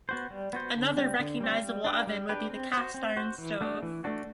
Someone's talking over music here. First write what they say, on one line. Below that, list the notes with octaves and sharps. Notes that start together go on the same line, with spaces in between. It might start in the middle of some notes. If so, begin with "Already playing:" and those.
Another recognizable oven would be the cast-iron stove.
B3 F#4 C5
G3
B3 F#4 C5
D3
G3 C4
D3
G3 C4
G3
D4 G4 B4
G3
D4 G4 B4
C4
F#4 C5
C4
F#4 C5
E3
A3 D4 F#4
E3
A3 D4 F#4